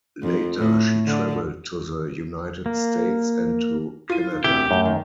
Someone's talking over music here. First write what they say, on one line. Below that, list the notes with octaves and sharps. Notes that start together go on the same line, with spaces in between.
Later she travelled to the United States and to Canada.
F2
A2
D3
A#3
E4 F4 D#7
D#4
E1 D2 C4 E4 G4
F#2 A3
D#3